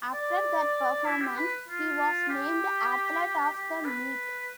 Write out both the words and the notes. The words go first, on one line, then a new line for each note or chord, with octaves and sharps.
After that performance, he was named Athlete of the Meet.
D5
E4
G4
B4
F4
G4
G4
B4